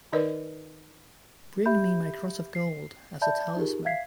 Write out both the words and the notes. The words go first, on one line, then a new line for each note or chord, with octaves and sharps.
Bring me my cross of gold as a talisman.
D#3 D#4 A#4 B4 D5 D#5
G4 E5 B5 G6
C7
D5 E5 A5 B5 G6
D#4 F4 G4 G#4 A#4
E5 F5 G#6 B6 C7